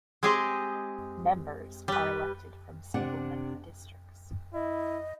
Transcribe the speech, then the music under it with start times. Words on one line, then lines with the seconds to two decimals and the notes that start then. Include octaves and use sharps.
Members are elected from single-member districts.
0.23 G#3 C4 G4 G#4 D#5
1.88 G3 B4
2.94 C3 D4 F#5
4.54 E4 D#5